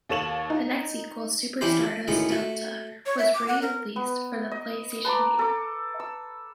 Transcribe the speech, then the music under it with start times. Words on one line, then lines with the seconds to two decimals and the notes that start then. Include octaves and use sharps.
The next sequel, "Super Stardust Delta", was released for the PlayStation Vita.
0.09 D#2 A4 C#5 E7 F#7
0.50 D#4
1.61 E3 C#4 D4 E4 G4 C5
1.80 F3
2.08 D2 A2 D#3 G#3 B3 C#4
2.30 A3 F#4
3.06 C#5
3.19 E5
3.34 D6
3.48 F#5
3.62 A#4
3.96 B3
4.51 D#5
5.05 B4 A5 A#5 D6
5.39 A4 D6
6.00 E6